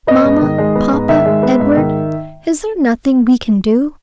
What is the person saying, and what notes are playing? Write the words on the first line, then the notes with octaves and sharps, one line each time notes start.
"Mamma, papa, Edward, is there nothing we can do?"
B3 D#5
G#2
D#3
G#3
B3
G#2
D#3 E5
G#3
B3
G#2
D#3